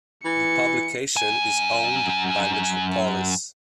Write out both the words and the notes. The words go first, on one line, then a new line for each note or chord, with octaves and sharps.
The publication is owned by Metropolis.
E3 C#7
F#2 G#5